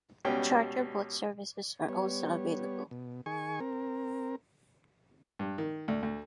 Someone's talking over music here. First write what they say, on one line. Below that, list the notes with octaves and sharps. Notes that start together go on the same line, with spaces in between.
Charter boat services are also available.
C#2 B2 G3 C#4 G5
G3 B3 C#5
B2
D#3 G#4 G#5 C#6
C4 A#4
G2
D#3
D2
D2